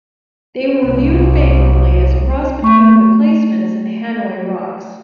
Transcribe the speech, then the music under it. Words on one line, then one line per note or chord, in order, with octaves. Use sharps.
They were reviewed favorably as a cross between The Replacements and Hanoi Rocks.
C2
A3 C#6